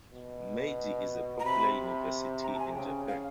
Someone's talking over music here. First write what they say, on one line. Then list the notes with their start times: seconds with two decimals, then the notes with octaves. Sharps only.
Meiji is a popular university in Japan.
0.13 B2
1.40 A#5
1.44 C3 B5
2.42 A#5
2.55 A5
2.59 G#5
2.75 C#3 G5
3.08 F5